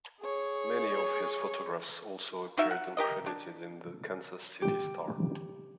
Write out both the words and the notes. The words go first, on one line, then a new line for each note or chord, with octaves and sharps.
Many of his photographs also appeared uncredited in "The Kansas City Star".
G#4 C#5
D#4 F#4 E5 F5
F#5
G4 A#4 D#5
D4
G4